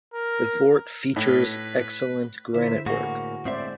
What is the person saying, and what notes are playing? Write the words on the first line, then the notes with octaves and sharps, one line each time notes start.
The fort features excellent granite work.
A#4
A2 B4
D3 E4 C5 E5
A2 A#3 F#4 G#4
A2 G#3 C4 C5 D5 E5